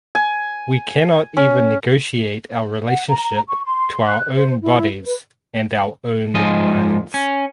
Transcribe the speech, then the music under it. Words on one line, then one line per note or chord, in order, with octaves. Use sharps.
We cannot even negotiate our relationship to our own bodies and our own minds.
G#5
C#4
F#5
A#5
C#6
C6
F#6
C5
E4
B4
G#2 F3 G#3 F4 D#5
C#4